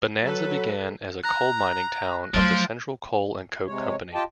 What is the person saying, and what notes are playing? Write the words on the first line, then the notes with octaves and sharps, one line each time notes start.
Bonanza began as a coal mining town of the "Central Coal and Coke company".
F#3 A4 B4
A#5 F#6 A#6
F3 F#3 A3 C6 A6 D7
C3 G#3 C#5
F4 G4 D#5 G5 A5